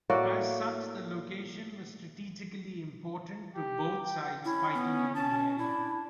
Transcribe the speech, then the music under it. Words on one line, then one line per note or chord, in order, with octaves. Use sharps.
As such, the location was strategically important to both sides fighting in the area.
A2 A#3 F#4 D5
G4
G5
C#4 E4
B3
C#4 A5
D4 E4